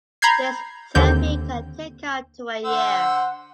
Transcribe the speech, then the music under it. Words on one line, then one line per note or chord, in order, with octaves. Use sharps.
This therapy can take up to a year.
A#5 B5 G6 G#6 C7
D#2 D3 C4 G6
D3 C5 F#5 E6